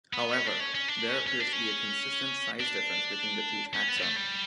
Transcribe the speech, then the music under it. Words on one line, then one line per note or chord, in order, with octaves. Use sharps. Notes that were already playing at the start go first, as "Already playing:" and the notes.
However, there appears to be a consistent size difference between the two taxa.
B3
C#4
D4
C#4
C#4
D4
C#4
C#4
D4
C#4
D4
C#4
B3
G3
A3
G3